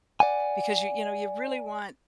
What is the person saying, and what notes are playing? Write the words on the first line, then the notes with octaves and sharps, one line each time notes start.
because you you know, you really want
D5 F#5 G#5